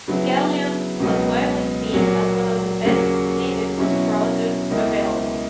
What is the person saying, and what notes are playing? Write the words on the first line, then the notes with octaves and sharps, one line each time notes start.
Galeon was widely seen as one of the best Linux browsers available.
C#3 F#3 B3 E4
C#2 B2 F#3 B3
A#2 F#3 A#3
D#2 C#3 F#3 A#3 C#4
B2 F#3 C#4 E4
C#2 B2 A#3 E4